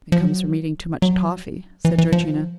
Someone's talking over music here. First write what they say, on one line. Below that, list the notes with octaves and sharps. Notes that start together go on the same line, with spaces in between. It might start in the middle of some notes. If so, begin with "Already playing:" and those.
"It comes from eating too much toffy," said Georgina.
F3
F#3
F#3
E3
E3
F3